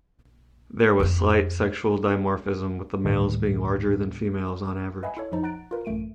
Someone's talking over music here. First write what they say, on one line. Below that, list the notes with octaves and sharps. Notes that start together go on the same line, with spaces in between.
There was slight sexual dimorphism with the males being larger than females on average.
F2 C4
D2 A2 D#3 G3
B4 D#5 E5 F#5 G#5 B5
E4 A4 C#5
F2 F3 D#4 A5 C#7
F#5 A#5 F#6 A6 D7
F4 A#4 B4
A1 F#2 A3 D7 D#7